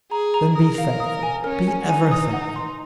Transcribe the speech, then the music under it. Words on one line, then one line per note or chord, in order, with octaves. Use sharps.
Then be thankful--be ever thankful.
G#4 A#5
A#5
A#4 D#6
F5
D#6
G#5
C#4 A#4
G#5
D#4 G#5
D#6
F#5
C6